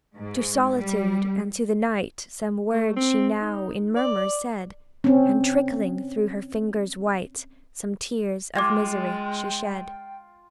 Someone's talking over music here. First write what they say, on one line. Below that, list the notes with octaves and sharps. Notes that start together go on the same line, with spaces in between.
To solitude and to the night, Some words she now, in murmurs, said; And trickling through her fingers white, Some tears of misery she shed.
G#2
G3
A3
C4
D#4
D5
C4 C#4
G#3 F4 G5 D6 G#6 A#6